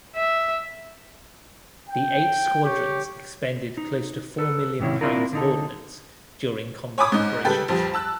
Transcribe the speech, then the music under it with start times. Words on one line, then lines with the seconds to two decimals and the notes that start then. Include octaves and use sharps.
The eight squadrons expended close to four million pounds of ordnance during combat operations.
0.15 E5
1.89 G5
2.64 G4 C#5
3.77 D#4
4.39 A4 B4
4.80 G#2 C3 D#3 C#4 E4
5.01 C4 D4 E4 F4 A#4
5.33 D3 D#4 A4
6.98 C#5 G#5 B5 D6 D#6
7.12 G#2 D#4
7.45 C#3 G3 A4 B4 G5
7.68 A#1 F2 F3 G3
7.94 A5 E6 F#6